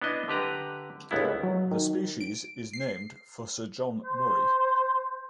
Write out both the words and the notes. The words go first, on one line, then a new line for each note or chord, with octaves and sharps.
The species is named for Sir John Murray.
B3 D4 E4 D#5
D3 G4 B4 A#5
G1 C#2 B3 E4
F#3
D#3
D7
C7
C5